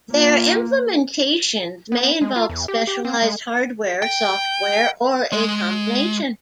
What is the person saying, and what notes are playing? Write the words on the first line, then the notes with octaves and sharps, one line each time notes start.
Their implementations may involve specialized hardware, software, or a combination.
A#3 F4
B3
G#3
F4
E2
G4
G4
C4
G#3
G5
G#3